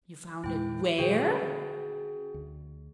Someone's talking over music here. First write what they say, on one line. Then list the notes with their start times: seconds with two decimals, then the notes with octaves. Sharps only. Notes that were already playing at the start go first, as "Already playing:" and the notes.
"You found it--WHERE?"
0.44 E2 A#2 G#3 E4 G5
0.98 A#2 D#3 F#3 F#4 G#4 G5
1.24 D3 C#4
2.34 D2